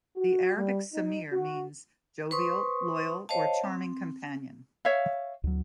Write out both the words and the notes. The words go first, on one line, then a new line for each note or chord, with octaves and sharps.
The Arabic Samir means: jovial, loyal or charming companion.
F#4
G3
D#4
F#4
B4 C5 C6 C#6 D#6
C5 C#5 D#5 F5 A5
C4
C#5 E5 F5
D2 F#3